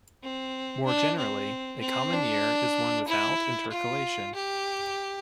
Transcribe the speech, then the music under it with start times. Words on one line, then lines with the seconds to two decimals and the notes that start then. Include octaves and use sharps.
More generally, a common year is one without intercalation.
0.23 C4
0.86 D4
1.18 C4
1.81 C4
2.13 D4
3.07 E4
3.71 F4
4.34 G4